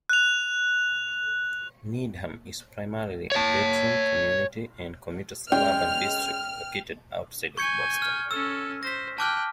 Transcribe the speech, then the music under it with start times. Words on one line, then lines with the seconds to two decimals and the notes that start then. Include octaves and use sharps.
Needham is primarily a bedroom community and commuter suburban district located outside of Boston.
0.09 F#6 F7
3.32 C#5 A5
5.52 G#3 C#4 G5 F6
7.57 G#5 C#6 G6 G#6 C#7
8.02 F6
8.31 C#4 A4 E6
8.83 C5 A#6 B6
9.18 G5 A5 D6 F6 F#6